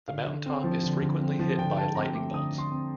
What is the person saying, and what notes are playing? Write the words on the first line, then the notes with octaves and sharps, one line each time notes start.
The mountain top is frequently hit by lightning bolts.
D3 F5
D3
C4
F3
D3
D3
C4
F3
D3 G5
D3 A5
C4 A#5
A3 D6
D3 D#6
D3
C6
C4